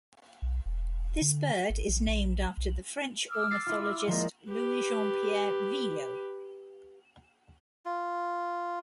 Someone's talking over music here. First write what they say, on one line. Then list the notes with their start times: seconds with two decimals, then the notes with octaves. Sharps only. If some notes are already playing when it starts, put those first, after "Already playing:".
This bird is named after the French ornithologist Louis Jean Pierre Vieillot.
0.42 B1
0.66 E1
1.22 D3
1.70 G#1
1.89 A#1
2.08 A#1
2.57 B1
3.29 D6 E6 F6
3.51 A6 C7
3.67 E4 F4
4.07 F3 G#3 A#3 D5 D#5
4.50 G4 B4
7.86 F4